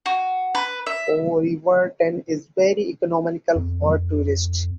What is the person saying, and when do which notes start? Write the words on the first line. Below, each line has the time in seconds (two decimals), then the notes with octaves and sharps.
Corriverton is very economical for tourists.
0.06 F#4
0.55 B4
0.86 E5
3.56 F2